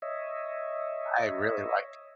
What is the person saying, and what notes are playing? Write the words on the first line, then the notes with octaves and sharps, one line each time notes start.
I really like
C#5 D#5 E5